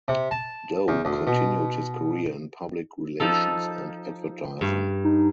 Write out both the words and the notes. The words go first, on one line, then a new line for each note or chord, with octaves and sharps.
Dow continued his career in public relations and advertising.
C3
A5
E2
D2
B2
F3 D#4 A4
G2
D#4